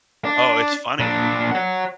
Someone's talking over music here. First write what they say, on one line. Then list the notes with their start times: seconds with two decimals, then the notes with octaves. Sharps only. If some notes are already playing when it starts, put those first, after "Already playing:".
Oh, it's funnier.
0.25 D4
1.00 A#2 D4
1.51 C#5 F#5